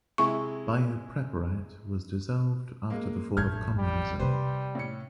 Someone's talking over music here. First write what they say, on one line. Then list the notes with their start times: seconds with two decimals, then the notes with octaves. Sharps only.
Biopreparat was dissolved after the fall of communism.
0.18 C3 G#3 E4 C#6
2.90 G#3 A#3
3.37 A1 F2 A3 F6 G6 G#6
3.77 G3
4.20 C3 G3 D#4 B4 C5
4.75 A2 C#4 C#7